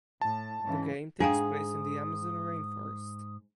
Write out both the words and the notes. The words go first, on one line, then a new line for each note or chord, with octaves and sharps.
The game takes place in the Amazon rainforest.
A2 A5
G#2 C#3 E3
G#2 D4 G#4 F5 G5 D#6